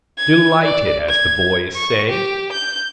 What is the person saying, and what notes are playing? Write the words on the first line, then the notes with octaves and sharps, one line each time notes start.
Delighted, as the boys say.
G#6
D5
G#6
C#6
G4
G6